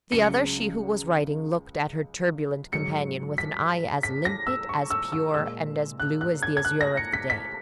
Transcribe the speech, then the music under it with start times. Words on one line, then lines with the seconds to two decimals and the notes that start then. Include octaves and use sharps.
The other, she who was writing, looked at her turbulent companion with an eye as limpid, as pure, and as blue as the azure of the day.
0.12 C#2 C#3 F#3 C#7
2.73 G#2 F#3 C#7
3.38 B6
4.03 B6
4.25 A#6
4.47 E6
4.69 C#6
4.91 E6
5.12 E6
5.34 A#2 G#3 E6
6.00 F#6
6.21 F#6
6.43 G#6
6.57 G#6
6.65 F#6
6.81 A#6
6.97 C#7
7.13 B6
7.30 B6